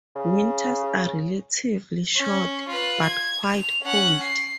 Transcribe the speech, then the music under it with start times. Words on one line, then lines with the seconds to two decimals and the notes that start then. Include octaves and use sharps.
Winters are relatively short, but quite cold.
0.16 C#3
2.16 C#4
2.69 F4 B4
3.03 G#6
3.46 F7
3.82 C#4 F#5
4.23 C7